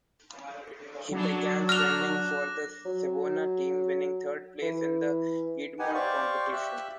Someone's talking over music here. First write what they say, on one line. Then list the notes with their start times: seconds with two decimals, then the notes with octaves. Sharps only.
He began swimming for the Savona team, winning third place in the Piedmont competition.
1.11 F#3 D4
1.69 D6 F6 F#6 A#6 F7
2.85 F#3
4.62 E3
5.79 D#4 G4 B4 F#5 G#5
5.94 G4 C5 D5 F5 C#6
6.53 G4 E5 E6 F#6